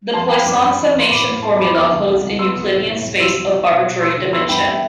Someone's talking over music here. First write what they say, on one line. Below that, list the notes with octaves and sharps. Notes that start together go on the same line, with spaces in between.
The Poisson summation formula holds in Euclidean space of arbitrary dimension.
F2 A5 C6
F2 G5 B5
G2 B5 D6
G2
E2
E2 C6
A2 B5 D6
A2
B3 A5 C6
F2 B5 D6
B3 D6 F6
D2
C2
C2
B3 C6 E6
C2
A2
A2
C2
C2 C6 E6
C2
C2
B2
B2
A3 C6 E6
D2
B3 C6 E6
G2 G5 B5
A3 E5 G5